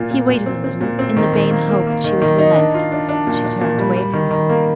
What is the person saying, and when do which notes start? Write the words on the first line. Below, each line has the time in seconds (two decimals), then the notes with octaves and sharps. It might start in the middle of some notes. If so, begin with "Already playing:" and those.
He waited a little, in the vain hope that she would relent: she turned away from him.
Already playing: A#2 F4
0.11 A#2
0.28 A#2
0.46 C4
0.64 C4
0.81 A#2
0.99 C4
1.17 D#3
1.33 D#3
1.51 A#3
1.69 A#3
1.87 A#3
2.04 D#3
2.22 D#3
2.39 D#4
2.56 D4
2.74 F4
2.92 D4
3.09 D4
3.27 A#2
3.44 D4
3.61 A#2
3.78 G3
3.96 G3
4.13 D#3
4.31 D#3
4.49 A#3